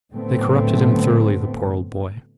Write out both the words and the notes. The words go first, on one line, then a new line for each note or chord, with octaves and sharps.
They corrupted him thoroughly, the poor old boy.
A2 D3 F#3 A3 B3 C4